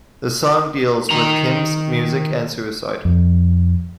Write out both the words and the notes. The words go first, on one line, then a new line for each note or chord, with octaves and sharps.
The song deals with Kim's music and suicide.
D#3 A#5
F2